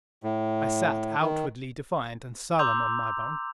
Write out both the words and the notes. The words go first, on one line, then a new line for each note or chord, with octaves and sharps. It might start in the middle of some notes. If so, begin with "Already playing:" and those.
I sat outwardly defiant and sullen on my bunk.
A2
D#3
A#5 C6 D6 E6 G6 F7